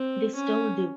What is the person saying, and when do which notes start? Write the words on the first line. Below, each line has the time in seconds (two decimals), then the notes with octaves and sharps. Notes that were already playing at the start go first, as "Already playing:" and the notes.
They still do.
Already playing: C4
0.35 C#4